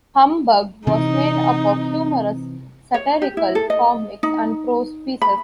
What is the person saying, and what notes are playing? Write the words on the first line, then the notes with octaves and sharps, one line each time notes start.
"Humbug" was made up of humorous, satirical comics and prose pieces.
C3 E3 C4 D#4
C#5
G4
E4
A4
D#5
D#4
B5